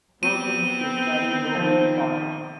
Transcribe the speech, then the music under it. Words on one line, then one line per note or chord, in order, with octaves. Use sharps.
Perkins to study local fauna.
B3 C4 D#7
D#3 F3